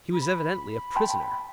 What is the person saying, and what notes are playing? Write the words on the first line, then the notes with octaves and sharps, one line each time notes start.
He was evidently a prisoner.
B5
G5 A5 C6